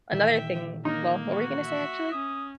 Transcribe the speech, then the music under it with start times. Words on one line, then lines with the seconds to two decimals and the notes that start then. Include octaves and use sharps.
Another thing well, what were you gonna say, actually?
0.12 A#2 D#3 E3 E5 G5
0.85 A#3 D#4 A#4
1.32 F#4
1.65 E5
2.12 C#4 D#6